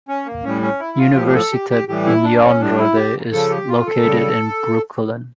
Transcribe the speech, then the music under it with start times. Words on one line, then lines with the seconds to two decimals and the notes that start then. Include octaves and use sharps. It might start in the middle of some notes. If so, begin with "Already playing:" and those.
Universiteit Nyenrode is located in Breukelen.
0.08 C#4
0.26 A#3
0.44 A2 G3 C#4
0.62 C#4
0.80 E4
0.98 F4
1.16 A2 F3 G4
1.27 G4
1.35 A4
1.52 G4
1.70 G4
1.88 A2 E3 G3 G4
2.06 E4
2.24 D4
2.42 C#4
2.60 A2 G3 D4
2.78 E4
2.96 G4
3.32 C#3 F3 A4
3.51 G4
3.68 F4
3.87 A4
4.04 C#3 G3